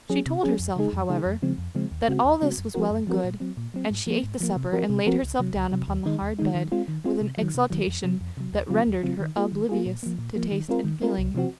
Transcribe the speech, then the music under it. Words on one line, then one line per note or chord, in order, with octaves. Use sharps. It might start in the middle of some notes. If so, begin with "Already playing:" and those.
She told herself, however, that all this was well and good; and she ate the supper and laid herself down upon the hard bed with an exaltation that rendered her oblivious to taste and feeling.
F#3 C#4 G#4
C3
F#3 C#4 G#4
F2
C#3 G#3 D#4 G#4
F2
C#3 G#3 D#4 G#4
F2
C#3 F3 G#3 C4
F2
C#3 F3 G#3 C4
D#2
C#3 G#3 C4 F#4
D#2
C#3 G#3 C4 F#4
F#2
F3 C4 F#4 A#4
F#2
F3 C4 F#4 A#4
A#2
F#3 C4
A#2
F#3 C4
G#2
F3 A#3
G#2
F3 A#3
C3
F3 C4 F#4 A#4
C3
F3 C4 F#4 A#4
C#2
C3 F#3
C#2
C3 F#3
D#2
D#3 G#3 D#4
D#2
D#3 G#3 D#4
D#3
G#3 C4 F4
D#3
G#3 C4 F4
C3
D#3 F#3
C3
D#3 F#3
F2
C3 F#3
F2
C3 F#3
D#2
C#3 F#3 C4 F4
D#2
C#3 F#3 C4 F4
D#3
A#3 F4 G#4
D#3
A#3 F4 G#4
A#2
F3 A#3
A#2
F3 A#3
D#3
G#3 C4 F4 A#4
D#3
G#3 C4 F4 A#4
C2
C3 F3 C4 F#4